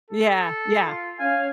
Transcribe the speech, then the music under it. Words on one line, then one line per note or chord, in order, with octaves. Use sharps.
Yeah, yeah.
A4
F4
C#4 F5 G#5